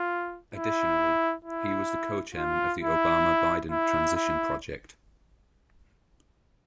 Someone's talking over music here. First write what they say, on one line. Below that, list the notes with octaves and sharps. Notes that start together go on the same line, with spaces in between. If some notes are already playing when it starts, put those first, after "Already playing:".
Additionally, he was a co-chairman of the Obama-Biden Transition Project.
Already playing: F4
E4
E4
F4
E4
E4
E4